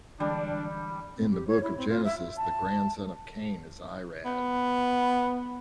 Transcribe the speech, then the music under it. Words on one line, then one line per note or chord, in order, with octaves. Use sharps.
In the book of Genesis, the grandson of Cain is Irad.
D3 E3 G3 G#3 D4
C4
G4
C#5
E4
C4
F4
E5
A5
B3